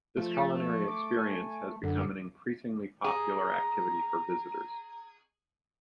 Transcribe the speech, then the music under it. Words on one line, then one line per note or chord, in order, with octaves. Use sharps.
This culinary experience has become an increasingly popular activity for visitors.
F3 A3
D6
G#5
F#2 D3
G#4 A#5